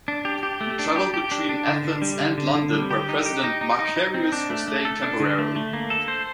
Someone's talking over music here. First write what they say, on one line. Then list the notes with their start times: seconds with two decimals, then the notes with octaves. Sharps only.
He travelled between Athens and London where President Makarios was staying temporarily.
0.08 D4
0.25 G4
0.43 G4
0.61 A3
0.79 D4
0.96 G4
1.14 G4
1.32 D4
1.49 D4
1.67 D3
1.85 D3
2.02 G3
2.20 D3
2.38 D3
2.55 D3
2.73 G3
2.91 G4
3.09 D#4
3.26 G4
3.44 D#4
3.61 D#4
3.79 D#4
3.96 D#4
4.14 C4
4.32 D4
4.50 A3
4.68 A3
4.85 A4
5.02 D4
5.20 D3
5.39 A3
5.56 A3
5.73 A#3
5.90 A4
6.08 C5